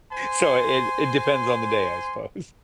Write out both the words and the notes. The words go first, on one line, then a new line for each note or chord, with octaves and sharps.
so it it depends on the day, I suppose.
C5 G#5 C6